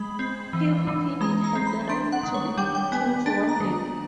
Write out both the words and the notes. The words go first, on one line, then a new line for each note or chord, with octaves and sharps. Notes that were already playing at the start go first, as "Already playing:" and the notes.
He who hit it had the right to be king for one day.
Already playing: G#3 B5
C4
E3
E3
G#3 A#5
A#5
C4
B5
D4 C6
F#5
D#3
C#5
G3 G5
G5
B3 G#5
D4 A5
A#5
D#3